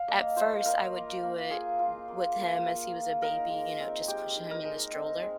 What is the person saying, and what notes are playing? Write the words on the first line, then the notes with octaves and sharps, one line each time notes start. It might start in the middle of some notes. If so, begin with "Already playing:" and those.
at first, I would do it w with him as he was a baby, you know, just pushing him in the stroller.
Already playing: F5
A#3 D#5
F4 C5
F4 A#4
A#3
A#3
F4 G#4
F4
A#3
A#3
F4
F4
D#4 A#4
G#3
C4
G#3 G4
D#4
A#4
G#3
C4
G#3